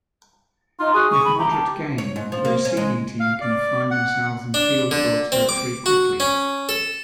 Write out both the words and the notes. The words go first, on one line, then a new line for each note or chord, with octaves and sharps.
With moderate gain, the receiving team can find themselves in field goal territory quickly.
D#4 F4
F#4 G#4
C#6
B5
G4 A#5
A5
C#5
G#2
F3
A#3
C#4
G#3
F5
D5
F#5
D4
D3
C4
D6
F#4
C#4
A4